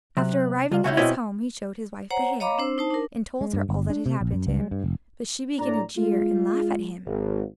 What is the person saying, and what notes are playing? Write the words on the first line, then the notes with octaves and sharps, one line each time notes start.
After arriving at his home, he showed his wife the hair, and told her all that had happened to him, but she began to jeer and laugh at him.
C3 F#3 F#6
C#2 G3 D5 F5
C#2 C#4 E4 F#4 G#5 E6 G6
B2 C4 E4 C#5 D#5
C5 C#5 F#5 A#5
C#5 D#5 F5 A#5 B5 D6
C4 D4 C5 E6
D#4 C5 A5
D4 A#4
G#3
G2
G1
D4
C3
A#1
F#2
C#2
G#3
G2
F1
A2 D4 D5 A#5
G#3 F4
G#1